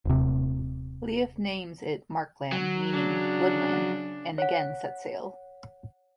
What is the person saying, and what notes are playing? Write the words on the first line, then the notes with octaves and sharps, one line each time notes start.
Leif names it Markland meaning "Wood land" and again sets sail.
D#1 C3
F#3
C#3 D4
C#5 F#5